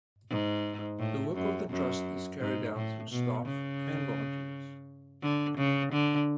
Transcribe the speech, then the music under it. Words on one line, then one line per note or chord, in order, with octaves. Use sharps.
The work of the trust is carried out through staff and volunteers.
G#2
A2
F#2
F#2
G#2
A2
B2
C#3
D3
C#3
D3